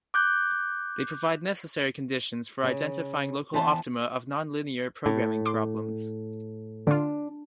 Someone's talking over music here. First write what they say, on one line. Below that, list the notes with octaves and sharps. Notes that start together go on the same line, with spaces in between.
They provide necessary conditions for identifying local optima of non-linear programming problems.
D6 F#6 G6
C#3
E2 E3 C4 C5 A5
A2
C6 D6
D3 D4 F4